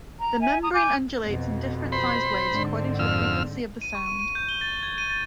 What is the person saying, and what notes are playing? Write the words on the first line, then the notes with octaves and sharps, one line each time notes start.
The membrane undulates in different sized waves according to the frequency of the sound.
A#5
E5 G#5
A#5 D#6
G#5 D6 G6
F2 B2
C5 B5
G#2 D3 C4
F2 E6 F6
D#7
C#6
D#7
D#7
G6
G7
A6
G#6
D#7
A6